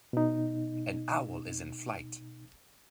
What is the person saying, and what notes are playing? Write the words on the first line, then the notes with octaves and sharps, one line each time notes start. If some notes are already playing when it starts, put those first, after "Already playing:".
An owl is in flight.
B2 D#4